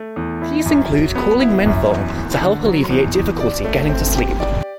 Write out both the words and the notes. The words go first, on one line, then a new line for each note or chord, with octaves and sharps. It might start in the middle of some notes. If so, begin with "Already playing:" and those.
These include cooling menthol to help alleviate difficulty getting to sleep.
Already playing: A3
E2
E4
F#2
F#3
B3
E4
F#2
E2
E2
D3
F#3
E2
E2
D5
A3
C4
G4
D5